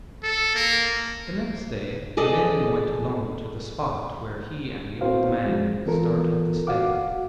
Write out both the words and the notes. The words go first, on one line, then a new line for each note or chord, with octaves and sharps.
The next day Olenin went alone to the spot where he and the old man startled the stag.
A4
A#3
G#4 A4 D5 D#5
B3 C4 E4 F#4 C5 F5
F3 G#3
E3 B3 F4 A4 A#4
F#4 F5 F#5 D6